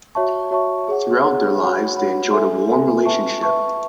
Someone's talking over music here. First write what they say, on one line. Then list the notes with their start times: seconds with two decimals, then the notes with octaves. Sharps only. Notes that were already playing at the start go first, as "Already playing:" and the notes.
Throughout their lives, they enjoyed a warm relationship.
0.15 F#4 C#5 E5 A5 C#6
0.51 F#4 C#5 E5 A5 C#6
0.88 G#4 C#5 F#5
1.24 G#4 C#5 F#5
1.61 F#4 C#5 F#5 B5
1.97 F#4 C#5 F#5 B5
2.33 A4 E5 G#5
2.69 A4 E5 G#5
3.05 B4 E5 A5 C#6
3.42 B4 E5 A5 C#6